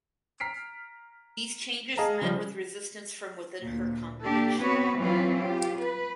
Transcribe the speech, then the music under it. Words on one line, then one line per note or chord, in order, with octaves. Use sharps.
These changes met with resistance from within her congregation.
A#5 F6 B6 C7 D7
G#4 D#5 F5 A5 A#5
C#3 F3 G3
D2 A#2
A#3 D4 G4 A4
B3 C4 F#4 B4 C#5
E3 F#3 C4 C#4 F4 B4
F4 G4
B4